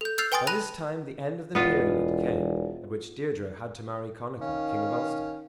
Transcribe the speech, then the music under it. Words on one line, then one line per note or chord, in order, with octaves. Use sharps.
By this time the end of the period came at which Deirdre had to marry Connachar, king of Ulster.
A4 G6
E6 F6 G6 A6 C7 F7
B4 G5 G#5 C6 D#6 A6
A5 B5 F#6 A#6 D#7 F7
E1 B3 F4
D#3 C#4 F5